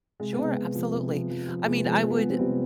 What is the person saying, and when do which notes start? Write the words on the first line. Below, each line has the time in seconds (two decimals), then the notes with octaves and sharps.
Sure, absolutely. I mean, I would
0.20 C3 G#3
0.33 B3
0.38 C3
0.45 G#3
0.57 C3
0.75 F3
0.94 C3
1.12 F3
1.30 F3
1.48 F3
1.66 C3 G#3
1.77 B3
1.85 F3 G#3
2.03 F3 G#3
2.10 B3
2.18 F3 G#3
2.30 C4
2.39 C3 G3 B3